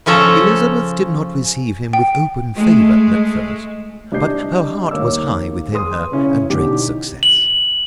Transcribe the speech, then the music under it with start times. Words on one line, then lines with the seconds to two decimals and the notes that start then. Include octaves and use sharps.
Elizabeth did not receive him with open favor at first; but her heart was high within her at Drake's success.
0.06 C#3 F3 C#4 A4 A#5
1.93 G5
2.54 G#3 A3
4.12 C2 D4 G4 D#5 G6 C7
4.91 D#2 A#3 C#5 D6 E6
5.72 G#4 B4 C6 D#6
6.12 C#3 C#4 E4
6.50 B2 D3 E3 D#4 G4
7.23 F#7